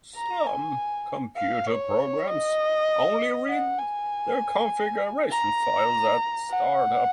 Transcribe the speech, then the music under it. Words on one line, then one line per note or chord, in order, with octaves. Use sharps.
Some computer programs only read their configuration files at startup.
A#5
G#5
F5
C#5
D#5
F#5
G#5
A#5
F#5